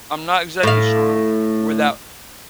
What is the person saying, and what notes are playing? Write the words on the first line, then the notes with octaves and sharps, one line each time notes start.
I'm not exactly sure where that
A2 F5